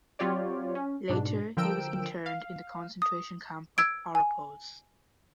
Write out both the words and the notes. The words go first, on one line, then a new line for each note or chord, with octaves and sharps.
Later he was interned in the concentration camp of Oropos.
F#3 C4 F4 G4 C#5 D5
C#4
G#2 B2 D4
D3 F3 A#4 G5 E6 D7
F5
D#6
E6 G#6 D7
G#5